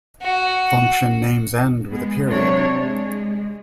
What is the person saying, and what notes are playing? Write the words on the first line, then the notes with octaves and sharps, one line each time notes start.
Function names end with a period.
F#4
G#3 B3
C3 F#3 D4 C#5
G#3